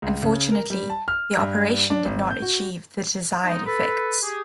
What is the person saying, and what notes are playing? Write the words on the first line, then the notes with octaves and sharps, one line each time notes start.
Unfortunately, the operation did not achieve the desired effects.
C#2
C#3
A#4
G3
A5
F6
G2
D4
G#1
G6
F#4
F3 G3 G#3 B3 D#4
A4 B4
G4 G#4